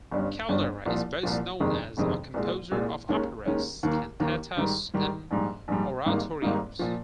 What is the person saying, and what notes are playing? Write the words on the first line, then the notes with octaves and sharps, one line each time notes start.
Caldara is best known as a composer of operas, cantatas and oratorios.
G1 G2 G3 C#4
G1 G2 G3 C#4
C2 A#2 F3
C2 A#2 F3
G1 F2 C3 D#3 G#3
G1 F2 C3 D#3 G#3
C2 A#2 G#3
C2 A#2 G#3
D#2 D#3 G#3 C#4
D#2 D#3 G#3 C#4
D#2 D#3 A#3
D#2 D#3 A#3
G#2 D#3 G3
G#2 D#3 G3
A#1 G#2 G3
A#1 G#2 G3
G#1 G#2 G3 A#3 D#4
G#1 G#2 G3 A#3 D#4
A#2 F3